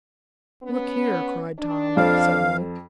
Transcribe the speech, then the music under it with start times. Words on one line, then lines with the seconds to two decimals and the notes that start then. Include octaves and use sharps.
"Look here!" cried Tom, suddenly.
0.63 B3 C#4
1.58 D4
1.97 F2 A4 C5 F5